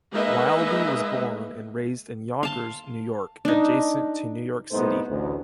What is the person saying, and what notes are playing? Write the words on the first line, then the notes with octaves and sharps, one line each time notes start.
Wildey was born and raised in Yonkers, New York, adjacent to New York City.
G#3 A#3 D#4 B4 D#5 E5
F5 A5 C6
D4 D#4
C2 A2 A3 B3 D#4 C5
A1 D2